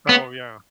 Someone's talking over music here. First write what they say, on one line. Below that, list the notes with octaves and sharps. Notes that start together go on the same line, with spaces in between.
Oh, yeah.
B3